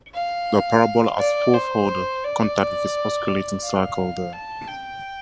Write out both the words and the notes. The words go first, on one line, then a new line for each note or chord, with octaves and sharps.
The parabola has fourth order contact with its osculating circle there.
F5
D5
C5
D5
F5
A5
G5